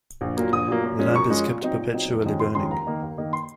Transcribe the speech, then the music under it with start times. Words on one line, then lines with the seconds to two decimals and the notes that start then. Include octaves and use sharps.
The lamp is kept perpetually burning.
0.21 A#1
0.37 A#2 F#3 A#3
0.53 A#1 D#6
0.68 A#2 F#3 A#3
0.84 F#2
0.99 F3 G#3 C#4
1.15 F#2 C#6
1.30 F3 G#3 C#4
1.46 A#2
1.61 F#3 C4 D#4
1.78 A#2
1.93 F#3 C4 D#4
2.09 F1
2.24 F2 D#3 G#3 C#4
2.39 F1 C6
2.55 F2 D#3 G#3 C#4 C6
2.71 D#2 A#5
2.87 D#3 A#3 D#4
3.02 D#2
3.18 D#3 A#3 D#4
3.33 C6